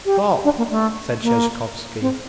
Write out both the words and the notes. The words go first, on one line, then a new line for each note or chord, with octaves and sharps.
"Stop!" said Sheshkovsky.
G4
D4
A#3
A3
A#3
C4